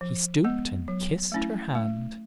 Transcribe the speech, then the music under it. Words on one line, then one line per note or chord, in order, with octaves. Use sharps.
He stooped and kissed her hand.
F3
G#3 B3
F#3
A3 C#4 E4
A3